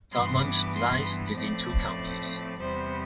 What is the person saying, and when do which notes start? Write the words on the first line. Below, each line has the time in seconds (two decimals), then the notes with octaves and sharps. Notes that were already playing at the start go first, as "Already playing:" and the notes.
Tallmadge lies within two counties.
0.12 G2 E3 B3 C6
0.42 D6
0.74 C6
1.35 A2 F3 A3 C4 D5
2.59 E2 C3 G3 B3 C5